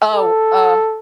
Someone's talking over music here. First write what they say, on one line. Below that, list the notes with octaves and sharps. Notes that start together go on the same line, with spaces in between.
Oh, uh,
A4